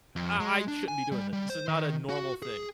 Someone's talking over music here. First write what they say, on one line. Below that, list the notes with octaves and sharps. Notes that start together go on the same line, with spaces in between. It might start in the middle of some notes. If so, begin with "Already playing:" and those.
I I shouldn't be doing this, this is not a normal thing,
F2
G#3
D4
G#5
G3
G3
C5
D#3
F#4
G#4